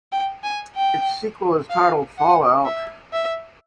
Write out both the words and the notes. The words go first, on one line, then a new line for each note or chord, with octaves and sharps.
Its sequel is titled "Fallout".
G5
G#5
G5
F5
F#5
E5
E5